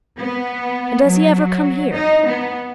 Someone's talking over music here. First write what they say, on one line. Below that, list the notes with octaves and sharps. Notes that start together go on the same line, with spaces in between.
'And does he ever come here?'
B3
F#3
D#4
B3